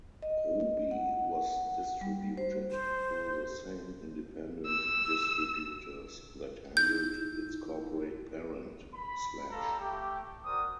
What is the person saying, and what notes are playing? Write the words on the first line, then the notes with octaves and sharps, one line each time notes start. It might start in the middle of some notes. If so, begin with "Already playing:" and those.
Ruby was distributed through the same independent distributors that handled its corporate parent, Slash.
D#5
F#5
G3
C5
C5
E6
D#4 E4 G6
B5
G3 F4 A4 A#5
A3 G4
F#4 A#4 C5 D5 D#6